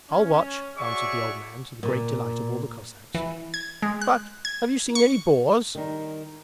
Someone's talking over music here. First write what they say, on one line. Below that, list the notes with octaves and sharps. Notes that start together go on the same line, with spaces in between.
I'll watch,' answered the old man to the great delight of all the Cossacks. 'But have you seen any boars?'
C#4
F#4 G#4 C#5 D5 E5 C#6
A#2
E3
G#6
G#3
F#6
G#6
C#6
D#3 G3 D#4